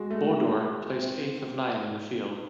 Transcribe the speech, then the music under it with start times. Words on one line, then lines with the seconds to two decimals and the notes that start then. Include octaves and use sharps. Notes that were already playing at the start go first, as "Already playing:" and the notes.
Bodor placed eighth of nine in the field.
Already playing: G#3 F#4
0.11 A3
0.90 C4